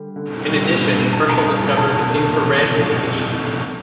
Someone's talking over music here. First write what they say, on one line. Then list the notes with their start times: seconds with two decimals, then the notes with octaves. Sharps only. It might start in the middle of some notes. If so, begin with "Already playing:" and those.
In addition, Herschel discovered infrared radiation.
Already playing: D3 G3
0.16 D3
0.48 G3
0.81 G2
1.13 G2 A5
1.29 A#5
1.38 A5
1.45 G2 A#5
1.62 A5
1.77 D3 A5
2.10 A#3
2.42 E2
2.74 F3
3.07 F2
3.39 D3